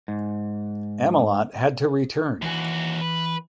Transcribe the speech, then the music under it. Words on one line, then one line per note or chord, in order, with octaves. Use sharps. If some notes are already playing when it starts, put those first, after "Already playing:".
Amelot had to return.
G#2
D#2 E3 F#4 G#5
B4